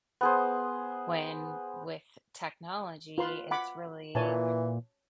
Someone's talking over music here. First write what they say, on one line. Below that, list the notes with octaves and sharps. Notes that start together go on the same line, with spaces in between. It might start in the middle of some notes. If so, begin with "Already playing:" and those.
When with technology, it's really
B3 G#4 C5
F4 B4 C6
F#5 B5 D6
A#2 E3 C#5 G#5 A5